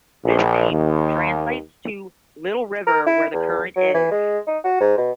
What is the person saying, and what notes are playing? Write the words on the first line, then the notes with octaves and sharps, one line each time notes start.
This name translates to the little "river where the current is".
A#1
D#2
A#4
E4
E2
F#3
E3
G#3
D#4
F#4
G#2
B2